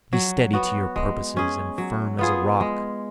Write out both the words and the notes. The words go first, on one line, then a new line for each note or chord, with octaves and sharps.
Be steady to your purposes and firm as a rock.
F#3
B3 F#4
G#3
C#4 G#4
F#3
B3 F4 G#4
G#3